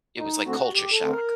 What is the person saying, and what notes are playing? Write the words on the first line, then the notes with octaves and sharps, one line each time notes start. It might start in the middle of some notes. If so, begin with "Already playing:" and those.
it was, like, culture shock.
D2 D#4
D3 A3 C4 F#4
D2 G4
A4
D3 A3 C4
A#4